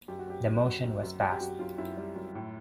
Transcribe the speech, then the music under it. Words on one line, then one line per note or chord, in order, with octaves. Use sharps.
The motion was passed.
F#2 G4
F#4
F#2 G4
F#2
F#2 F#4
F#2
F#2
F#2
G4
F#2 F#4
F#2 F4
F#2 E4
G3
F#2
A2